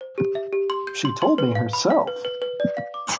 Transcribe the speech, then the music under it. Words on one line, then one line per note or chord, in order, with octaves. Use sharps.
She told me herself.
C5
G4
E5
G4
C6
G6
C6
C6
B4
F5
B5
F5
B4
B4
B4
D5
F5
D6